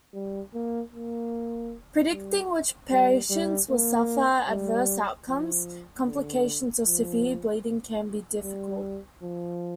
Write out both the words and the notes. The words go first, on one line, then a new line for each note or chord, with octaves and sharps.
Predicting which patients will suffer adverse outcomes, complications or severe bleeding can be difficult.
G3
A#3
A#3
G3
G3
G3
A#3
G3
F3
D3
F3
G3
F3